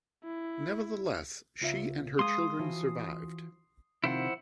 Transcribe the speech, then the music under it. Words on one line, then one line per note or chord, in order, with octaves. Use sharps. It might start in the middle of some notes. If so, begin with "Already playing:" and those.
Nevertheless she and her children survived.
E4
C#2 F4 E5
G#3 G#4 F5 C6 D#6
E3 F3 F#4
C3 D#3 F3 E4 C5 F#5